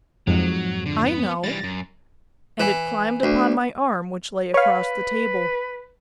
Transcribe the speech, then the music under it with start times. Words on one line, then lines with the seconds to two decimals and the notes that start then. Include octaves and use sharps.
"I know." And it climbed upon my arm which lay across the table.
0.27 F2 G#2 F#3
0.86 D3
1.06 B3
1.44 E3 G3 A6 A#6
1.64 F#2
2.60 E3
3.23 D2
4.54 B4 C#5 F5